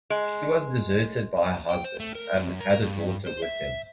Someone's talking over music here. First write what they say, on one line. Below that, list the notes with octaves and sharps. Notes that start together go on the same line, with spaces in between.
She was deserted by her husband, and has a daughter with him.
G#3
G5
C5
A3
A#4
F#2
A#4
G2
C5
E5